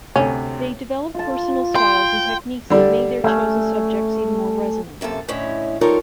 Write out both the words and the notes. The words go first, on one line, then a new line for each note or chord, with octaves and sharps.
They developed personal styles and techniques that made their chosen subjects even more resonant.
D2 C3 C#4
F4 A5
G5 C6
D3 G3
A3 C#4
F#2 C3 A#3 A4
A2 D3 C#4 E4 C#5 D#5
G3 D#4 F4 A4 A#4 C#5